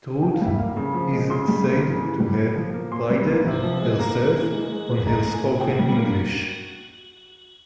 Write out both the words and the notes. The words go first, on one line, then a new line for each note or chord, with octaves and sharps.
Truth is said to have prided herself on her spoken English.
E3 G5
F5
G3 E5
A#3 F5
C#3
F3
G#3
C#3 C6
G3
A#3
C#3
E3
G3
A#2
F3
A#3
A#2 C6
G3
A#3
C3
F3
G#3
A#3 A#5
A#3
E3
G#3
G#3
A#2
G#3 A#5
G#3
G#5
A#2
A#2 G5
G3
A#3